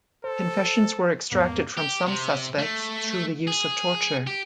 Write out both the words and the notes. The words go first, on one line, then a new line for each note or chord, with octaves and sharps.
Confessions were extracted from some suspects through the use of torture.
A4 C5
E2 G#2 A#3 B3
G4
C3
A3
G#4
G4